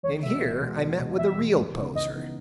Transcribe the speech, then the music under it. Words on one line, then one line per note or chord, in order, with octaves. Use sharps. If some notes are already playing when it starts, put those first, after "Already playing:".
And here I met with a real poser.
E2 C#5
B2 G#3 E5
E2
B2 G#3
E2
B2 G#3
E2 E5
B2 G#3
C#2
C#3 E3 B3 D#4
C#2 D#5
C#3 E3 B3 D#4